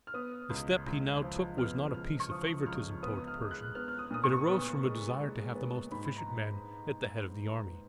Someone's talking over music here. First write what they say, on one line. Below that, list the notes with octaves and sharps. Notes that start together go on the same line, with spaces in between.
The step he now took was not a piece of favoritism toward Pershing--it arose from a desire to have the most efficient men at the head of the army.
F6
B3 D#6
C#2
C#2
F3
B3 F6
C#2 F6
C#6
F3 D#6
C#2 F6
B3 D#6
F6
G#3
F#6
B3 F6
F6
D#6
A#2 D#6
C#6
B3
G#3
G#3
B3
G#2 B5
B5
A#5